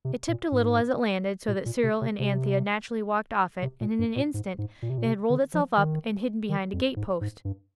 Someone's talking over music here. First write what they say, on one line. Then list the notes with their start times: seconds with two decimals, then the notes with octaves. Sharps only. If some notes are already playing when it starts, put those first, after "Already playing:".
It tipped a little as it landed, so that Cyril and Anthea naturally walked off it, and in an instant it had rolled itself up and hidden behind a gate-post.
0.05 C3
0.28 A#2
0.52 G#2
1.48 A#2
1.66 A#2
1.83 C3
2.01 C3
2.20 C3
3.62 C3
3.81 A#2
3.99 G2
4.16 A#2
4.34 G#2
4.58 G#2
4.82 A#2
4.90 C3
4.98 A#2
5.06 C3
5.30 D3
5.54 F3
5.77 D#3
6.49 D#3
6.73 F2
6.96 G#2
7.21 G#2
7.45 G2